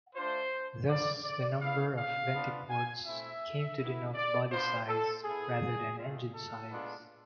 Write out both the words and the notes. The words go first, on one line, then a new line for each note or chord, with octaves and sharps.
Thus the number of VentiPorts came to denote body size rather than engine size.
A3 D4 F4 C5
B3 F4 D5
D5
B3 E4 F5
F5
B3 D4 F4
G#5
A3 C4 E4 E5
B3 E4
D5
B3 D4 F4 C5
A4
B3 E4 G#4
A3 C4 F4
A4
G#3 B3 D4 F4